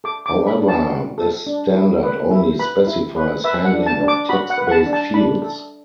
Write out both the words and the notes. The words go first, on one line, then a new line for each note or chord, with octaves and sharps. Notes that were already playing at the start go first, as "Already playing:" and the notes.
However, this standard only specifies handling of text-based fields.
A4 D6
D6
D4
B5
D4
A5
F#4
A4
D4
E4
B4
E4
B4 B5
E4
B4
B4 E5
F#5
D4
A5
D4
D6
F#4 B5
F#5
B4
F#5
A5
D4
A5
D4 B5
A4